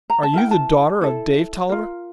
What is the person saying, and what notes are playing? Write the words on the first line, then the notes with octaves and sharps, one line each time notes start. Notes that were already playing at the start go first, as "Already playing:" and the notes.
"Are you the daughter of Dave Tolliver?"
A#5
A5
E4 A#4 G5
A5
E4 A4
F4 A#4